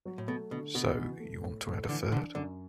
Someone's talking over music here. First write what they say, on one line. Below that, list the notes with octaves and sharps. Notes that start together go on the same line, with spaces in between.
So you want to add a third?
F#3
A2
B2 A3
B2 D3
B2 F#4
E3
A3
A2
A2
D3 E3
D3 D4
F#2 D3